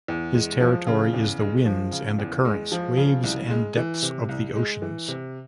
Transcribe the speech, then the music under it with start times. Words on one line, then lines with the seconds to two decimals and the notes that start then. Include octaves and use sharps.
His territory is the winds and the currents, waves and depths of the oceans.
0.08 E2
0.34 G#3
0.60 F3
0.87 C#3
1.13 E2
1.39 G#3
1.65 F3
1.92 C#3
2.19 E2
2.45 G#3
2.72 F3
2.97 C#3
3.23 C2
3.50 G#3
3.76 E3
4.02 C3
4.29 C2
4.55 G#3
4.82 E3
5.08 C3